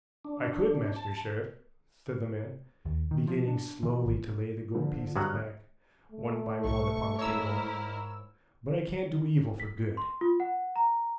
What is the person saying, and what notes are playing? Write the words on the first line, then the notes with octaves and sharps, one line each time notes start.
"I could, Master Sheriff," said the man, beginning slowly to lay the gold pieces back one by one upon the table; "but I can't do evil for good."
D4
A5
D#2
D#3
F3
D4
E3
G#1
D3 F3
G2 F#3 F#4 D#6 F6 F#6
A3
B1 C#6
G#2 E4 A#4 C#5 E6
B6
C6
F4
F#5
A#5